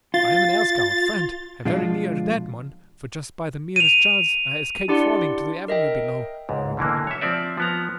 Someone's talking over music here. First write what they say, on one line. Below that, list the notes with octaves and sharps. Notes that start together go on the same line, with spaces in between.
"I am an air scout, friend, and very near a dead one, for just by the merest chance I escaped falling to the avenue below," I replied.
F4 A6
B2 F3 G#3 D4 F4
D#7 F7
D4 E4 G4 D5 F#5 C6
A#4 D#5 E5 G5
C#2 G#2
B2 D3 E3 A#3
C#5 E5
F3 C4 D5 E5
F3 B3 A#5